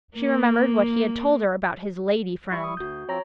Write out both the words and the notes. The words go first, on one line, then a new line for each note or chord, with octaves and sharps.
She remembered what he had told her about his lady friend.
A#3
G3 E4 C#6
D#6
D2 F#4 G6
F3 C4 C#5 A#5 A#6